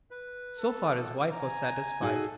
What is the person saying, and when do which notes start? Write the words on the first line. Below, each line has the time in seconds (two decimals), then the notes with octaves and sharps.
So far his wife was satisfied.
0.11 B4
0.59 A4
1.31 G#5 A#5
2.02 D#4 F#4 G#4 A4 E6